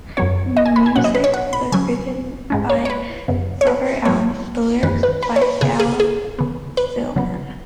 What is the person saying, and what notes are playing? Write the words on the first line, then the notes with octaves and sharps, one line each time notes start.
The music was written by Robert Allen, the lyrics by Al Stillman.
F#2 F#3 B3 C#5
D#5
G#5
B5
G#5
B2 F#3 C#4 F#5
D#5
B4
C#5
F#5
B5
C#3 F#3 C#4 G#5
G#2 G#3 C#4
C#5
C#5
B4
F#2 C#3 B3
C#5
B4
G#2 F#3 B3 C#5
F#2 D#3 G#3 B4
B4
B4
C#5
B4
C#3 B3 G#4
G#4
G#4
C#3 B3
B4
C#3 F#3 B3